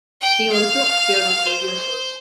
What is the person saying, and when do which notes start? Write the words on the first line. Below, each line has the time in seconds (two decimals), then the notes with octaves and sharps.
She also appeared on radio shows.
0.21 G5
0.52 F5
1.47 C5